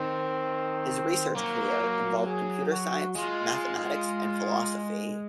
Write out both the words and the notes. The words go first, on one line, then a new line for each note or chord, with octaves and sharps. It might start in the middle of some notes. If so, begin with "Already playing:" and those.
His research career involved computer science, mathematics, and philosophy.
Already playing: D#3 C4
F#3 A#3
G#4
F#4
G#3 F4